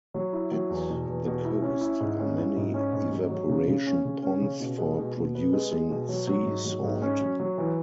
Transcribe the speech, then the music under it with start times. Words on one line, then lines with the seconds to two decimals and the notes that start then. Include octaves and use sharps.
At the coast are many evaporation ponds for producing sea salt.
0.14 F#3
0.33 E4
0.51 F#3
0.70 E2
0.89 B2
1.07 E2
1.26 B2
1.45 E4
1.62 C#4
1.81 E4
2.00 G#2
2.19 C#4
2.38 E4
2.56 G#2
2.74 C#4
2.93 G#2
3.11 F#3
3.30 F#3
3.48 C#3
3.68 C#3
3.86 C#4
4.05 C#3
4.23 C#4
4.42 C#3
4.60 B2
4.78 G#3
4.98 B2
5.16 B2
5.35 B3
5.53 G#3
5.71 G#3
5.90 B2
6.09 F#3
6.27 F#3
6.46 G#2
6.64 F#3
6.84 G#2
7.02 C#4
7.21 F#3
7.39 F#3
7.58 E3